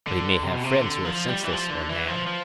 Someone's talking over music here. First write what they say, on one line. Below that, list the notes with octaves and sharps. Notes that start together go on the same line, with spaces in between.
But he may have friends who are senseless or mad?
D3
C3
B2
C3
D3
F3
G3
E3
F3
D3
E3
F3
F3